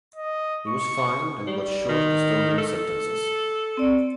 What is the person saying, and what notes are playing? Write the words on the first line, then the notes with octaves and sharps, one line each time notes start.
He was fined and got short custodial sentences.
D#5
C#6
G3
D#3
A4
C4 D5